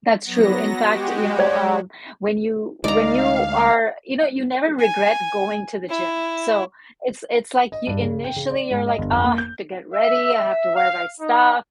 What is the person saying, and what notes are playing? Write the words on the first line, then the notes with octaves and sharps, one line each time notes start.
That's true, in fact, you know, um, when you when you are you know, you never regret going to the gym, so, it's it's, like, you initially you're, like, "Ugh, have to get ready, I have to wear my stuff,"
F#3 B3 A#6
G#3 F#4 G4
C#5 D5
D2 G#3 D#4 D5 F5 A#5
G#5
E4
D#5
G2
C#3
G5
C#3
D5
G#2
D#5
G1
F2
A#3
G6
E5
E5
F5
D#4